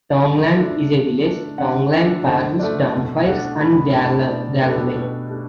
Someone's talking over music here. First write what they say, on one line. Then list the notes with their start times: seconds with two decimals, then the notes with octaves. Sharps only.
Tongland is a village in Tongland Parish, Dumfries and Galloway.
0.23 D3 D5
0.57 A3 D4 E5
0.91 D3
1.25 A3 D4
1.58 D3 F#5
1.91 A3 D4 E5
2.26 D3 C5
2.59 A3 D4 D5
2.93 B2
3.27 A3 D4 F#5
3.60 B2 B5
3.95 A3 D4 A5
4.28 B2 D5
4.62 A3 D4 B4
4.69 A4
4.77 G4
4.84 A4
4.96 B2
5.29 A3 D4 G4